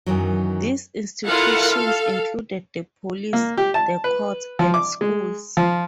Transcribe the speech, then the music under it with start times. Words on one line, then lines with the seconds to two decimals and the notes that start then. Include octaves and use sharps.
These institutions included the police, the courts, and schools.
0.06 F#2 D#3 E3 F#3
1.27 E4 F4 A4 A#4 F5 F#5
1.69 A4 F5
3.33 A#3
3.57 G4
3.74 A5
4.04 B4
4.59 F3
4.74 D6
5.01 G#3
5.57 F3